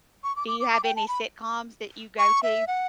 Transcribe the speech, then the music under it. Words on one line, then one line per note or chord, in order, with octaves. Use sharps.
Do you have any sitcoms that you go to?
C#6
D6
D6
D6
D6
G5
A5
B5
C#6
E5
F#5